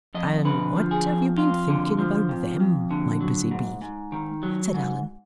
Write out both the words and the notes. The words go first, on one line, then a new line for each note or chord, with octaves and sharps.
"And what have you been thinking about THEM, my busy bee?" said Allan.
F2 D#5
D3 B4
F3
G#4
F2
F2 F4
D3
F3
F2
F2
D3
F#3
G#2
G#2
D#3
F#3
G#2